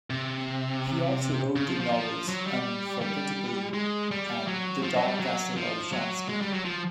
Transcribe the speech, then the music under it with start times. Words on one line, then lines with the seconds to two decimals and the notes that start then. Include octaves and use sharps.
He also wrote the novels "Unforgettable" and "The Dark Castle Olshansky".
0.10 C3
1.56 C#3
1.68 F3
1.80 F3
1.93 F3
2.29 F#3
2.47 G3
3.01 G3
3.74 G#3
4.11 G3
4.47 F#3
4.83 F3
4.96 F#3
5.07 G3
5.20 F#3
5.56 F3
5.93 F#3
6.29 G#3
6.41 G3
6.53 F#3
6.65 F3